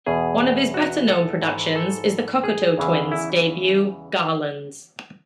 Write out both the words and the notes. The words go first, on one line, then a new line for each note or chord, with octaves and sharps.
One of his better-known productions is the Cocteau Twins' debut "Garlands".
E2 B2 G#4
F#4
A4
G#2 E3
A4
G#4
E2 C#3 E3
E4